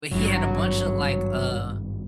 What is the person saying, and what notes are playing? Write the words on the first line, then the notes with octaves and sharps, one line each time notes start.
but he had a bunch of, like, uh
G#1 G2 F#3